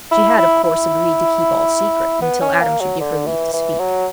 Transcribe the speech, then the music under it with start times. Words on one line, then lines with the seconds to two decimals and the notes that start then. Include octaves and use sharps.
She had, of course, agreed to keep all secret until Adam should give her leave to speak.
0.11 E4
0.38 E4
0.64 E4
2.22 B3
2.42 C#4
2.61 A#3
2.81 F#3
3.00 D3
3.26 E3
3.54 E3
3.80 F#3